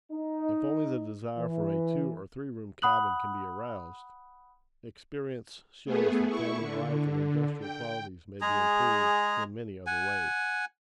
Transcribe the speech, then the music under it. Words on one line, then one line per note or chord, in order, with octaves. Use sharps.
If only the desire for a two- or three-room cabin can be aroused, experience shows that family life and industrial qualities may be improved in many other ways.
D#4
E3
F#5 B5 D#6 F#6 F#7
A3 B3 G#4
E4 C#6
D3
G5
G#3 G#4 A#5
F#5 G#5